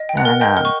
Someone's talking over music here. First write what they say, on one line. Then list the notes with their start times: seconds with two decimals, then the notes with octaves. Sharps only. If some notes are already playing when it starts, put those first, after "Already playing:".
and, um
Already playing: D#5
0.09 G5
0.17 F#5 F#6
0.25 A#4
0.41 D#5 G5 G6
0.57 A#4
0.65 C#6